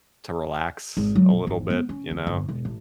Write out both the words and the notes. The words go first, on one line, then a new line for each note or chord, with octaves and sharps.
to relax a little bit, you know?
G#1
F#3
A#1
G#1
B3
C#4
D2
G1
E1
A1